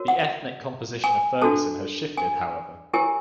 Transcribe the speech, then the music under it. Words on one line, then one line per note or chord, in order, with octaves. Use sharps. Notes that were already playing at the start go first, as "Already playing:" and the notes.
The ethnic composition of Ferguson has shifted, however.
Already playing: F#4 A#4 C#5
F#5
G#5
D4 F#4 A4 C5 A5
G#5
E4 G4 A#4 C#5 G#5